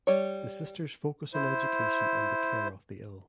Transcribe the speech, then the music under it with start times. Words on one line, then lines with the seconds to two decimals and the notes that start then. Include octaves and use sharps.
The sisters focus on education and the care of the ill.
0.07 G3 C#5
1.34 E4 C5